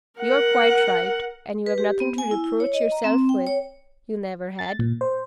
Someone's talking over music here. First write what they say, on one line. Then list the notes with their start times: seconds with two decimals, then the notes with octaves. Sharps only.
You're quite right, and you've nothing to reproach yourself with--you never had.
0.20 A#4 F#5
1.66 B4
1.78 G4
2.00 B3
2.18 G#5
2.31 E4
2.44 E4
2.60 C#5
2.73 D#5
2.92 A#5
3.04 C4
3.29 G5
3.47 C#5
4.59 A6
4.79 A#2
5.01 C5